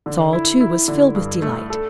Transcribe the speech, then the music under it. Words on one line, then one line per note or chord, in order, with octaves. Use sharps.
Saul, too, was filled with delight.
D3
E4
E4
D3
G2
A3
A4